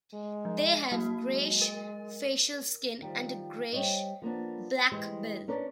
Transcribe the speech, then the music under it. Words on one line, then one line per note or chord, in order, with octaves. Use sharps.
They have greyish facial skin, and a greyish-black bill.
G#3
F3
F#3 A#3 F#4
G#3
A#4
D#3 F3 G3
G3 C5 C#5 D#5 F5
F3 A#3 B3 D4
E3 G#3 E4 G4 C5
C#4 D4 A#4 B4 D5